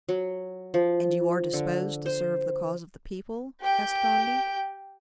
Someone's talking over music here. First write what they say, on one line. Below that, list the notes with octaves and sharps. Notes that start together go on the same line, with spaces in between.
"And you are disposed to serve the cause of the people?" asked Gondy.
F#3
F3
D3
C5
G4 G5